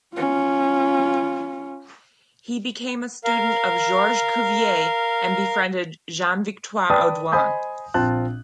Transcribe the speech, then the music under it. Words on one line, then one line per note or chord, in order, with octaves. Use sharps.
He became a student of Georges Cuvier and befriended Jean Victoire Audouin.
C#4 F4
A#4 F5
B4 D5 G5 A5 D#6
C5 D#5 G#5 B5 D#6 G6
A#1 C4 F4 A5 F#6